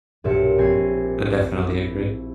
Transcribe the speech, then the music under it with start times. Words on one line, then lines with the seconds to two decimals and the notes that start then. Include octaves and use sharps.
I definitely agree.
0.24 B1 G2 A#2 G4 E5 C#7
0.58 A#1 C4 G#5 G#6 C7
1.69 E4